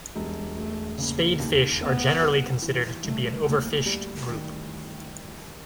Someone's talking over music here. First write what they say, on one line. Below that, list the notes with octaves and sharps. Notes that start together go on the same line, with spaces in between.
Spadefish are generally considered to be an overfished group.
E1 G3
E1 A3
C#3 A#3
D#2
A1 B3
G3
E3
G2 A3
D2 A#3
G3
D#3